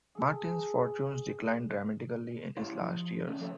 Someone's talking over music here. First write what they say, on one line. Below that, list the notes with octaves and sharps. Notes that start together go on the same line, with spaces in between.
Martin's fortunes declined dramatically in his last years.
G#4 A4
C#2 E4 G4 C#5 F5 C6
F3
C#3 G3 A3 C#4
F3 A3 A4 C5 C#5 E5